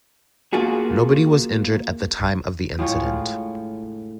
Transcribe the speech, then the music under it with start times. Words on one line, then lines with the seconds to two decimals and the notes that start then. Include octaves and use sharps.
Nobody was injured at the time of the incident.
0.53 A#3 F4 F#4 G#4
2.79 A2 G#3 F4 C#5